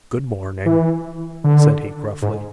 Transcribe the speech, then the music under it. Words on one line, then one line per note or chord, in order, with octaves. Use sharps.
"Good morning," said he gruffly.
E3
D3
G#2